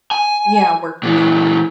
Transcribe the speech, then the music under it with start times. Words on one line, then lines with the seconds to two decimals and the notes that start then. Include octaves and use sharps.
Yeah, work your way up.
0.11 G#5
1.03 A#2 E3